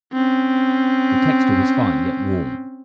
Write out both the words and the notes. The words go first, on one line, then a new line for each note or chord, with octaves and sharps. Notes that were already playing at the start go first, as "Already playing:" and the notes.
The texture was fine yet warm.
C4 C#4